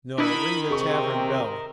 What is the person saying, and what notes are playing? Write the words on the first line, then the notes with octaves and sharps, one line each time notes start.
"No. Ring the tavern bell!"
D4 E4 A#4 D#5 B5
C3 C4 G#4 C#6